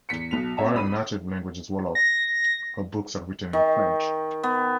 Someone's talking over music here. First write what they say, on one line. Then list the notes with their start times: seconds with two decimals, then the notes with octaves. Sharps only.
While her native language is Wolof, her books are written in French.
0.09 E2 B6 C#7
0.31 B1 B2 F7
0.57 C4 F#4 C#5 E5 A5 A#5
0.74 C2 B5 D#7
1.95 A#6
3.53 D#3
4.43 B3